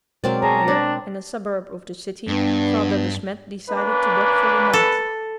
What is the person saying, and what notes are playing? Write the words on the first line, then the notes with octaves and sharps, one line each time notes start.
Here, in a suburb of the city, Father De Smet decided to dock for the night.
B2 F#3 G#3 C4 A#4 D5
G#4 C#5 A5 A#5
C4 D4
G2 B3 D4
A#3 C#4 D4 B4
A4